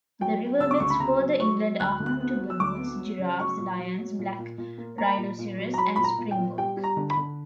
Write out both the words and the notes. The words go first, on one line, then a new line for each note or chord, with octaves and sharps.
The riverbeds further inland are home to baboons, giraffes, lions, black rhinoceros and springbok.
F#3 G5
F#3
C#3 E6
D6
D2 C#6
B5
C#3 A#5
F#3
F#3 C#6
F#3
D2 F#6
D2
F#6
B3
F#3
E6
D2 D6
B3
F#3
C#3
F#3 C#6
A#2
F#3
F#3
A#2
A#2
A#2
A#3
A#3 A#5
A#2
A#2
F#3
A#5
F#3 B5
A#2 B5
A#5
A#2
G5
A#2
G3 G5
G3
A#5
D3
B5
D3